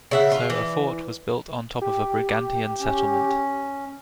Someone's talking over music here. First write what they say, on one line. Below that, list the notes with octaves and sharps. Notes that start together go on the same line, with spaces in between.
So a fort was built on top of a Brigantian settlement.
C#3 E5 F#5
F4
E3
G4
C#4